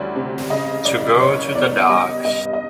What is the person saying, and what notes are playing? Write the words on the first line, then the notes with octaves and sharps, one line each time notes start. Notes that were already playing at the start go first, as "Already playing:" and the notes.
To go to the dogs.
Already playing: D2 E3 G3 C#5 D5
C3
C#3 D#5
F#1 D5
F#1 C#5
E2 D5
G3 D#5
G2 D#5
D#5